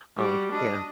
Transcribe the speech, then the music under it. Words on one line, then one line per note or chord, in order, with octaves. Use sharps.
Uh, yeah.
G3 F#4
D4 D#5